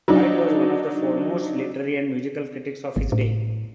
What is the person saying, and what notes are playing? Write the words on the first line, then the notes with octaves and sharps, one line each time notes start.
White was one of the foremost literary and musical critics of his day.
F#3 D4 D#4
G#1
A2